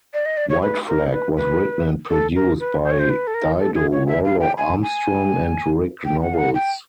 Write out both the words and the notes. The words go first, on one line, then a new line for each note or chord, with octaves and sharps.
"White Flag" was written and produced by Dido, Rollo Armstrong and Rick Nowels.
D5
D#5
D5
C#5
B4
A#4
B4
B4
A4
A#4
B4
C5
C#5
C5
B4
A4
A#4
A4
G#4
C#5
E5
F5
G5
G#5
G#5
G5
F#5
F5
F#5
G5